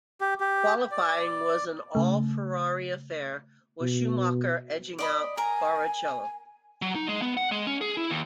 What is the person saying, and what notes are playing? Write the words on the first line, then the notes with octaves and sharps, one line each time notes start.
Qualifying was an all Ferrari affair, with Schumacher edging out Barrichello.
G4
G4
D5
C#3 A3
B2
D5 D#5 B5
A#4 G#5 A#5
F#3
D#4
G#3
B3
F#5
G#3
C#4
G#4
E4
D#2